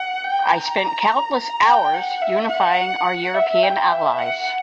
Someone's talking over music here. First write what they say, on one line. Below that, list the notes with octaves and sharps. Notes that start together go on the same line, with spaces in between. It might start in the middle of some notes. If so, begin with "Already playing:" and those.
I spent countless hours unifying our European allies.
Already playing: F#5
G5
A#5
A#5
G5
F#5
E5
F#5
E5
G5
E5
F#5